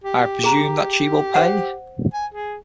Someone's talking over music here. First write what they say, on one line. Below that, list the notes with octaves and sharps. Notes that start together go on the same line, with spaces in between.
I presume that she will pay.
G4
G#4 A#5
C5 F#5
G#5
G#4